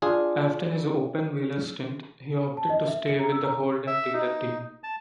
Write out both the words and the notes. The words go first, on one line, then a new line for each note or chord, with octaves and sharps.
After his open-wheeler stint he opted to stay with the Holden Dealer Team.
D4 F4 G#4
A5
D#5
E5
C#7
A#5
E6
A#5
E5
D#4
A5